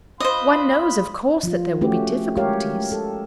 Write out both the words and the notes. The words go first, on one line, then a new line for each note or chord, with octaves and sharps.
"One knows, of course, that there will be difficulties."
F4 B4 C5 D#5 B5
F3 F4
A3 C#4 F#4 G4
G#3 G4 A#4 C#5 F5
A4